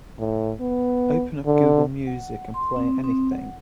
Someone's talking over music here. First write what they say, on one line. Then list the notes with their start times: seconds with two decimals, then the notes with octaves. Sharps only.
Open up Google Music and play anything.
0.19 A2
0.60 B3
1.46 D3
2.07 F#5
2.54 C6
2.76 C4
3.04 C4
3.32 F#5